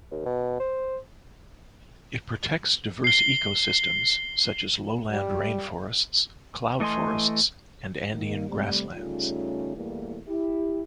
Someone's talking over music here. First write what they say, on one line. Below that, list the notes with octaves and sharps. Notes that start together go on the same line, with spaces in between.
It protects diverse ecosystems such as lowland rainforests, cloud forests and Andean grasslands.
D#2
B2
C5
C7 G7
G3
E3 A3 D#5 G#5 C6
D#3 A#3
C3 G3 A3
C#3 G3 A3 C#4 D#4 F4
E2 B2 G3 A3 A#3 E4
E4 G4